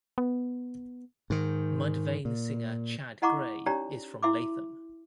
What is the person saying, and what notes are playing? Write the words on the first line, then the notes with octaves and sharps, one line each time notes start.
Mudvayne singer Chad Gray is from Latham.
B3
G#2 D#3
A#2
E4 D#5 F#5 A#5 C#6 D6
C#4 D#4 G4 C#5 D5 A#5
E4 E5 C6 D6